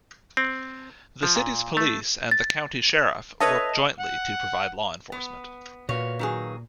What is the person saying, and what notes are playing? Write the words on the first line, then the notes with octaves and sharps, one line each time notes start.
The city's police and the county sheriff work jointly to provide law enforcement.
C4
F3
A#2
A3
A6
A4 B4 C#5 D#5 E5
F#5
B3
A#2 F#4 B4 C#5 F5
D#3 F#3 G#4